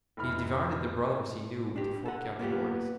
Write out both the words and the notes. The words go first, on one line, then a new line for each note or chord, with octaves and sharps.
He divided the Brothers he knew into four categories.
F1 E3 B5 F6
D4 G4
A4 F#5
A#3 B3 F4 G4